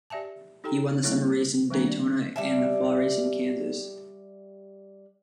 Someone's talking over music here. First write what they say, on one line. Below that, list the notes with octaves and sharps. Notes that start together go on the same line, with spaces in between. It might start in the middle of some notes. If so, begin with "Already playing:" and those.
He won the summer race in Daytona and the fall race in Kansas.
G4 D5 E5 G#5 A5
D#4 G4 A4 G5 A#5
G3 A#3 C4 E4 C#5
D#3 G3 A#3 B3 D4
D5
G3 E5 A5